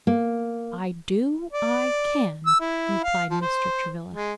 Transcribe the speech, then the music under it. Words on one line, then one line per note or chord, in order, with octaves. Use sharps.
"I do; I can," replied Mr. Travilla.
A#3
D5
E6
E4
F5
F3
C5
G#3